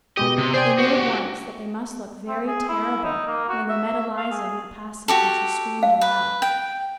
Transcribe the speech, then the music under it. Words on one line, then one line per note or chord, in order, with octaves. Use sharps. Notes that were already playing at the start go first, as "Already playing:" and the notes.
They knew at once that they must look very terrible when they met Eliza in the passage, and she screamed aloud.
B2 G#3 G4 D#5
C3
G#4 C5 D5 G5
F#4 G4
C4
G#4
E4
D#4
A#3
F#4
E5
F5
G#4
F#4 G4 A4
F5
B4
G5